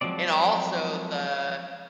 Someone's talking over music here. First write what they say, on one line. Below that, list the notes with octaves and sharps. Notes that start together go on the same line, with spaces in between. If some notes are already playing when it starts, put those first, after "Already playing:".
and also the
F3 F#3 G#3 C4 D5